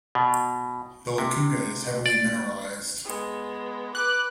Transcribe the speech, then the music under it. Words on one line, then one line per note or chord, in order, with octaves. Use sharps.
The Lukuga is heavily mineralized.
B2
C3
D5
G#3 B3
B4 D6 F#6